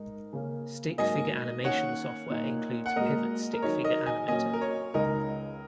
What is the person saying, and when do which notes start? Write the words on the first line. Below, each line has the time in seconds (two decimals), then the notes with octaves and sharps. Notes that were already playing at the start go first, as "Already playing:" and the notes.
Stick figure animation software includes Pivot Stickfigure Animator.
Already playing: G#2 G#3 D#4 A#4
0.33 C#3 A#3 C#4
0.98 G#2 F#3 A#3 D#5 G#5
1.64 D#3 A#3 C#4 A#4 C#5 F#5
2.30 A#2 A#3 D#4
2.86 F#5
2.96 A#2 G#3 F#4 A#4 D#5
3.53 A#4
3.62 D#3 F#3 D#4 G#4 C#5
3.84 A#4 D#5
4.06 D#5 G#5
4.28 A#2 F#3 A#3 C#4 D#5 G#5
4.53 A#4
4.61 C#5
4.94 C#2 C#3 G#3 D#4 A#4 D#5